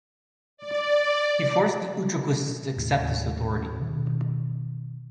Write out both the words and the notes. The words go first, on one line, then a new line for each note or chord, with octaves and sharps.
He forced the Utraquists to accept his authority.
D5
D#2 A2
B2 D#3